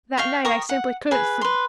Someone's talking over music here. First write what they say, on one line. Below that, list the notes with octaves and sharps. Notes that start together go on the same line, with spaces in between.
That night I simply couldn't sleep.
F5 G5 C#6
A#4 G5 C#6 D#6
F#5
G#4 B4
B4 C6